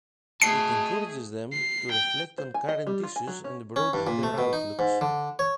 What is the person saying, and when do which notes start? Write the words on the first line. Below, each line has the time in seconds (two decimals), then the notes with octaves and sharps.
It encourages them to reflect on current issues and broaden their outlooks.
0.42 A3 G#4 D#5 A5 C7
1.53 C7
1.91 G5
2.38 C5
2.54 G#5
2.69 D#5
2.87 G3
3.03 F4
3.16 G#5
3.28 F#3
3.44 C#4
3.76 C#4
3.93 G2
4.07 A#2
4.23 A3
4.38 B2
4.53 D#4
4.79 G#2
5.01 D3
5.39 C#5